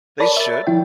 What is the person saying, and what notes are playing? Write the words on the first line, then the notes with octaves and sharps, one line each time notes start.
They should.
A#4 C#5 D5 A5 B5
E5 A6
F3 E4 G5